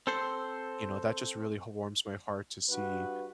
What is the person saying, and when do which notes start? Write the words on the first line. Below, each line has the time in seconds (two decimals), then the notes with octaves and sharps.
you know, that just really h warms my heart to see
0.07 C4 A4 C5
2.70 G2 F#4 B4